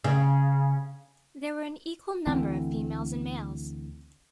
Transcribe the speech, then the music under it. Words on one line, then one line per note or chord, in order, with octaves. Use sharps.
There were an equal number of females and males.
C#3
D2 D3 E3 C4